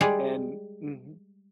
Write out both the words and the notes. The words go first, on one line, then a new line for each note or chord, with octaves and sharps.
And mhm.
G3 G#3 G#4 D5